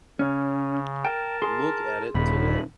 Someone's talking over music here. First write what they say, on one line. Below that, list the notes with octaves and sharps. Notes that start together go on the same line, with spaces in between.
Look at it today.
C#3 C#4
A#4 G5 A5
G#4 C6
D#1 B5